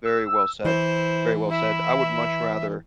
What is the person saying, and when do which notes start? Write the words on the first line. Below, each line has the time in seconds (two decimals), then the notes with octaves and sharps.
Very well said, very well said. I would much rather
0.05 E6
0.65 E3 E4 C5
1.50 E4 E5